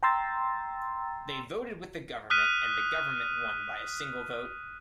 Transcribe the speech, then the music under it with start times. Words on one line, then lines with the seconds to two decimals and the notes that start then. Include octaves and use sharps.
They voted with the government, and the government won by a single vote.
0.03 G5 A#5 C6 E6 A6
2.30 D#6 F6 F#6 B6 D#7